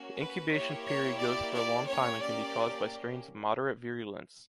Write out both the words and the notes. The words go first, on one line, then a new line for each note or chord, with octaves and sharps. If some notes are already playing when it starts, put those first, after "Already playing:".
The incubation period goes for a long time and can be caused by strains of moderate virulence.
Already playing: A#3 C#4 F#4
B4
A#3 E4 G4 C#5
C#5
D5
D5
A#3 C#4 G4 C#5
D5